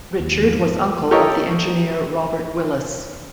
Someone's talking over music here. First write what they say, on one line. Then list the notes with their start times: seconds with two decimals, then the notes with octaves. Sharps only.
Richard was uncle of the engineer Robert Willis.
0.20 D#2
0.42 E2 G#2 F3
1.11 G4 A4 A#4 C#5 D#5